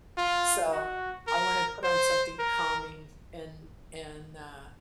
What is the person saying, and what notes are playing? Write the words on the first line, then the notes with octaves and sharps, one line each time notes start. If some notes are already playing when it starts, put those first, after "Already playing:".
So, I wanna put on something calming and and, uh
F4
F#4
A#4
C5
A#4